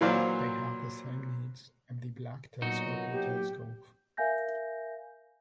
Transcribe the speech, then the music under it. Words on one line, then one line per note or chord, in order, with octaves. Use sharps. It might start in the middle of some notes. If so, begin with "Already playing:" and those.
They have the same needs as the black telescope or telescope.
A#2 E3 F#3 C5 D5 F5
A#2 F#3 B3 D#4 F#4
G4
A#4 E5 F5 G#5 G6 A#6